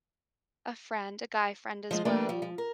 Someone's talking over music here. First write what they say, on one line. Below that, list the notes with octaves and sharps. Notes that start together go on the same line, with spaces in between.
a friend a guy friend as well
F3 G#3 F4
E3 A3 A#3 D4 B4 D5
F3
F3
A#4